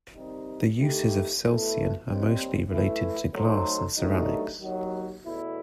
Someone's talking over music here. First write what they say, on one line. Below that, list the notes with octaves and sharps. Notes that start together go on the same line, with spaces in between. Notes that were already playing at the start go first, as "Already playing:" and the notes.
The uses of celsian are mostly related to glass and ceramics.
C3 D#3 G3 D#4
D#3 A3 E4 G4
B2 A3 E4 A4
D#2 D#3 G3 C4
E3 A3 E4
F#3 A3 D#4 A4 C5
G2 D#3 F#3 A3 D#4
D#2 D#3 F#3
E2 B2 A3 E4